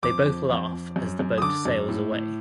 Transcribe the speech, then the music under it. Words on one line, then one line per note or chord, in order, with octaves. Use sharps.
They both laugh as the boat sails away.
F2 D6
F2
F2
F2
F#2
F#2
D#6
D3 D6
F#2
A2
A2